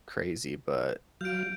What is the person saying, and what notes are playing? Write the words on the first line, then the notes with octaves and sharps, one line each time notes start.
crazy, but
F#3 F5 G6 D7